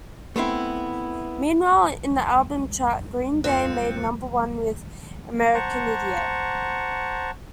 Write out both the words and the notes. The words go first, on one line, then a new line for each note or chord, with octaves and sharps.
Meanwhile, in the album chart, Green Day made number one with "American Idiot".
A3 B3 C4 E4
F2 A#2 F3 C4 F4 F#6 C#7
C5 F#5 A5 A#5 C#6